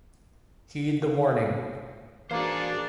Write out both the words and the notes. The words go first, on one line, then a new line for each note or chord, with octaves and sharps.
Heed the warning.
E3 A#3 D4 F#4 G#4 C5 D5